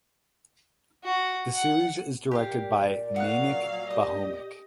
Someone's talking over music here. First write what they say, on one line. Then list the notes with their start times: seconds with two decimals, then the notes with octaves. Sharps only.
The series is directed by Mainak Bhaumik.
1.04 F#4
1.54 F#5
2.31 A#2 G4 A#4 D5 F5
3.16 F#3 F5 F#5 D#6 F#6
3.91 G4 D#5 D#6